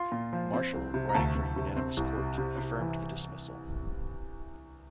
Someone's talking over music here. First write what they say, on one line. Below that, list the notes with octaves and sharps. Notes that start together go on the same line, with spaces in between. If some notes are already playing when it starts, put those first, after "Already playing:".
Marshall, writing for a unanimous court, affirmed the dismissal.
Already playing: F4 C6
A#2
F3
C4
C2
C3
A#5
D2 A5
D2
C3
C4
C2
C3
C3
C3
E3